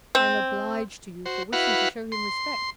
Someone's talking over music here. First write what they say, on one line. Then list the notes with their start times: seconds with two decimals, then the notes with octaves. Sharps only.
I am obliged to you for wishing to show him respect.'
0.15 C4
1.25 F#4 C5
1.53 E4 F#4 B4 F5 F#5
2.12 C6